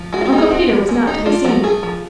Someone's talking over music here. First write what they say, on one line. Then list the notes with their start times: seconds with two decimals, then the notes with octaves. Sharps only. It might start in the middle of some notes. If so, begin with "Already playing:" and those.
Uncle Peter was not to be seen.
Already playing: F3
0.13 G#3 F#4
0.21 F4
0.25 F#4
0.33 D#4
0.38 G#4
0.51 C4 F#4
0.70 F3
0.89 G#3
1.07 D#4
1.26 D4 F4
1.45 F3 F#4
1.63 A3 G#4
1.83 F3